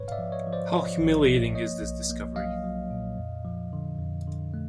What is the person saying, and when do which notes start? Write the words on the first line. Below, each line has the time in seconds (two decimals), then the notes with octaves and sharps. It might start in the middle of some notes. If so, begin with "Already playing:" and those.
How humiliating is this discovery!
Already playing: G#2 B4 C#5
0.08 F5
0.12 D5 E5
0.18 F3
0.32 C#5 D#5
0.46 F3
0.53 C5 D5
0.73 F3 C#5 D#5
1.00 A#1
1.27 F3
1.55 A#3 C#5 D#5
1.81 B1
2.10 A#3
2.36 F#3 D#5 F5
2.64 F#3
2.91 A#2
3.17 F2
3.45 F3
3.73 D3
3.99 F2
4.27 D3
4.54 A3